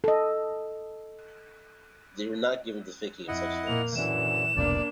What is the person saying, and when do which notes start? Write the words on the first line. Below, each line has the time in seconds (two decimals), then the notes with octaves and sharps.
They were not given to thinking of such things.
0.04 A4 D#5
3.28 F2 E4 D#5 F#5
3.67 A#2 A#3 F7
3.96 F#2 A#2 D3 E3 E7
4.57 F1 C2 B2 A#3 D4 D5